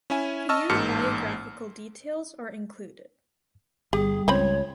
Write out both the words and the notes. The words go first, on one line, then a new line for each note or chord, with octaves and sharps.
Few biographical details are included.
C#4 E4 E5 G#5
D#5 A5 C#6 E6 F6
A1 G#2 A#3 A5 F6 C#7
G1 G3 G4 G#4
C#2 C4 C5 C#5 B5